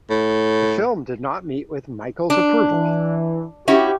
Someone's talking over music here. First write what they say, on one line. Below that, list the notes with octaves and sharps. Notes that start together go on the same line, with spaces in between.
The film did not meet with Mykle's approval.
A2
D4
E3
C#4 E4 F#4 G4